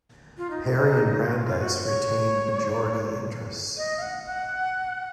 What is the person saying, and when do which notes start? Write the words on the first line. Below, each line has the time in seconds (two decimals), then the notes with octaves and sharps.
Perry and Brandeis retained majority interests.
0.38 F4
0.50 D#4
0.74 D#4
1.27 F#4
1.35 F4
1.47 F4
1.60 F#4
1.84 C#5
3.77 D#5
3.98 F5
4.02 F#5
4.27 F#5